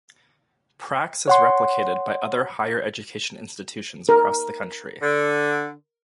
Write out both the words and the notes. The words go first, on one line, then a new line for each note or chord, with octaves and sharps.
Praxe is replicated by other higher education institutions across the country.
C#5 F#5 C6
A#4
D3